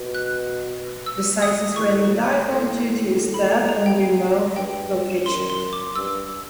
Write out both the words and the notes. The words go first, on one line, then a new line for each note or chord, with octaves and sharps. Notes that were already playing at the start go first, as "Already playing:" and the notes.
The site is rarely dived on due to its depth and remote location.
Already playing: B2
F#6
E6
D#6
A2 C#6
A2
B5
A#5
A#5
G5
G2 G5
F#2 C6
C6
D6
G2 E6